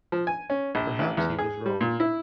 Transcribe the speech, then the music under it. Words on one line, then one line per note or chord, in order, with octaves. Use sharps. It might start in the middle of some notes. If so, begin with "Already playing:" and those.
Perhaps he was wrong.
F3
G#5
C#4
A#1
A1
E2
G#4
G3
A#2
E4